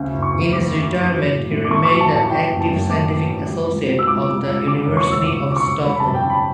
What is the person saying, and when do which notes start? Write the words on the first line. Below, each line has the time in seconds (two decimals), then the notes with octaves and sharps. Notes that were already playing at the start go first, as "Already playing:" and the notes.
In his retirement, he remained an active scientific associate of the University of Stockholm.
Already playing: D2 C#3
0.13 F#1
0.22 C#6
0.34 E2
0.53 G3 D6
0.73 C#3
0.83 D6
0.92 F#1
1.11 F#3
1.31 A1
1.51 A2
1.65 D6
1.70 A3 C#6
1.85 C#6
1.91 F#3
2.01 A5
2.11 A1 A5
2.30 E3 G5
2.50 F#1
2.60 A5
2.70 F#2
2.89 A3 D6
3.09 E3
3.30 F#1
3.49 G3
3.69 C#2
3.88 B2
3.99 E6
4.07 C#2 D6
4.28 G3
4.47 C#2
4.67 C#3 D6
4.82 D6
4.87 E1
4.97 C#6
5.07 D2 E6
5.26 E1 D6
5.46 C#3
5.52 D6
5.56 C#6
5.65 E1
5.85 G3 B5
5.96 B5
6.00 A5
6.05 F#2
6.15 G5
6.25 C#3
6.30 B5